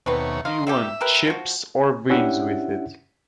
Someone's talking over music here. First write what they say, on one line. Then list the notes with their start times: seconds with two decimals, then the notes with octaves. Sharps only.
Do you want chips or beans with it?
0.06 D#2 B2 A3 C4 B4 C#5
0.45 D#3 F5 C6
0.67 D#3 G3 G4 E5
1.01 G4 A#4 B4
1.27 F3 F#4
2.10 C#4 D4 E4 G4 E5 F#5